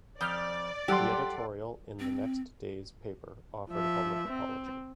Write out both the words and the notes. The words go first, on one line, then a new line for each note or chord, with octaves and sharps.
The editorial in the next day's paper offered a public apology.
F2 D5 F6 G6
F#3 G3 G4 A4 F#5 C6
C4
F3 E5
C4